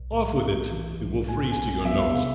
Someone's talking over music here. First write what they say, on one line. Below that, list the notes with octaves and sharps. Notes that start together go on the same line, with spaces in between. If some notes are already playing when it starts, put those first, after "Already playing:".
"Off with it, it will freeze to your nose!"
Already playing: B1
A2
B1
E3
B1
A2 G#5
B1 G#5
B3 E5
F5
C3 F5